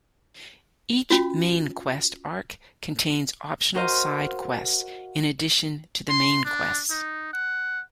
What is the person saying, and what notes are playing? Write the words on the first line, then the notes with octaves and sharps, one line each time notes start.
Each main quest arc contains optional side-quests in addition to the main quests.
C#4 F4 F#4
F#4 A#4 C5 D#5 F5
C6
D4
D#4
F#5